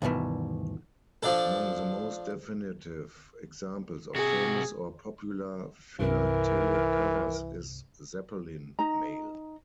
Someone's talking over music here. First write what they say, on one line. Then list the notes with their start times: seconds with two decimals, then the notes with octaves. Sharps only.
Among the most definitive examples of famous or popular philatelic covers is Zeppelin mail.
0.02 D2 G2 B2 D#3 E3
1.23 F3 D4 A4
4.15 C3 F#4 G#4
5.99 C2 G2 C3 E3 A#4
8.79 D#4 A#5